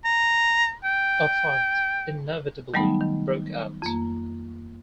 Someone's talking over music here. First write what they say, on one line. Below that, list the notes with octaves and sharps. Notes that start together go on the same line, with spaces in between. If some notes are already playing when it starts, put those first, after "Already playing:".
A fight inevitably broke out.
A#5
G5
D#3 F#3 G3 A3 B3 D#4
D#3
F2 A#3